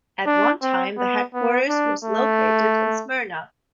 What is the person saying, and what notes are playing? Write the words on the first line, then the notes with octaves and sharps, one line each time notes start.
At one time the headquarters was located in Smyrna.
D4
C4
B3
B3
D4
A3